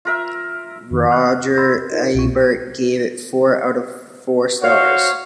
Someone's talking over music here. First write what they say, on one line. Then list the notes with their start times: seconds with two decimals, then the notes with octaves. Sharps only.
Roger Ebert gave it four out of four stars.
0.05 F4 A#4 E5
0.91 F2 D#3
1.09 F#5 D#6 F6 F#6
1.58 B5 C6 E6 A6 A#6
1.75 A#4
1.92 D#4 F4 A#4 C5 C#5
2.15 C2 B2 C4 F4 C#6
4.61 F#4 C5 C#5 F5